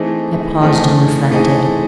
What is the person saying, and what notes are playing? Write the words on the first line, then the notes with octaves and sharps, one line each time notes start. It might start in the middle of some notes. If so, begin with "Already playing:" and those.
I paused and reflected.
Already playing: E3 A3 C4 D#4 G#4
E3 A3 C4 D#4 G#4
E3 A3 C4 D#4 G#4